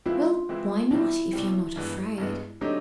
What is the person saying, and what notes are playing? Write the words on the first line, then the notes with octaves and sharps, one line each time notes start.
"Well, why not, if you're not afraid?"
E3 G#3 C4 E4 F4
E3 G#3 C4 E4
B2 G3 C4 E4
B2 G3 C4
G2 E3 G#3 B3
G2 E3 G#3 B3
F#3 A3 C4 D4 D#4 G4